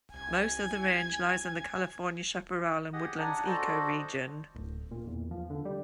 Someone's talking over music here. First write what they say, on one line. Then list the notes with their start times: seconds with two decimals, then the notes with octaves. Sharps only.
Most of the range lies in the California chaparral and woodlands ecoregion.
0.14 C2 G#5 G#6
2.93 G4 G#4 D#5 F#5 D#6
3.18 D4 D#4 D5 F#5 G#5
3.47 F#4 A4 C5 D5 D#5
4.55 D1
4.91 A#2
5.07 E2
5.31 F3
5.50 D3
5.65 G3